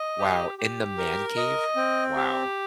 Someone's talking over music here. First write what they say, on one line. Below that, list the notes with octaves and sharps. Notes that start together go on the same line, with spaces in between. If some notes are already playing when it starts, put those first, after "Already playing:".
Wow! In the man cave? Wow!
Already playing: D#5
G4
G4
A#4
D#5
C4
G4